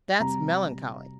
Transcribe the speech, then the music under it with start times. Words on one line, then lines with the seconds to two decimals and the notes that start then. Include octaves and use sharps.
That's melancholy.
0.20 C3 G3 A#5